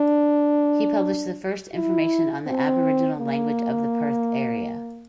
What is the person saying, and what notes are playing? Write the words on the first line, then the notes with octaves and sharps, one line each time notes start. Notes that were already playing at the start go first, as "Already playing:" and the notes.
He published the first information on the Aboriginal language of the Perth area.
Already playing: D4
E4
C4
A#3